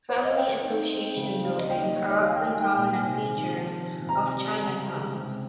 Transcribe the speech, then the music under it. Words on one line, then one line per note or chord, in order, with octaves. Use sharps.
Family association buildings are often prominent features of Chinatowns.
C5
C#5
D#5
F5
C4 G5
D#4
C4
C#3
G3 F5
D#5
D#2 G5
D#5
D#3 C#5
D#5
G#3 F5
G5
D#4 G#5
G5
A#2 G5
G#5
C3
D#3
F3
C4
C3 A#5
G3
C#3
G#3
C3